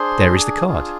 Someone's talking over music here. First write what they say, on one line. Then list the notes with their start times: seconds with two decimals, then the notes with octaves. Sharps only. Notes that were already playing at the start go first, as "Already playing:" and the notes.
There is the card.
Already playing: D4 G#4 C5 C6
0.67 D4 F4 G#4